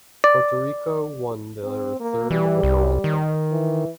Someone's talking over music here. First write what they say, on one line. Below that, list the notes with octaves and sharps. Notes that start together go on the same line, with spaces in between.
Puerto Rico won their third overall title.
D5
C4
A#3
E3 G3
C2
D#3
E3